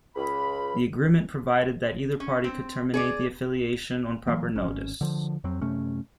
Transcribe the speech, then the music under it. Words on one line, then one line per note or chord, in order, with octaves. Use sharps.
The agreement provided that either party could terminate the affiliation on proper notice.
C#2 B5
C#4
C4
G#4 C#5 D5
E3 F#3 A#3
G#1 C#4
D3 F3
F2 F#3 C4
F#2 C3 A3 C#4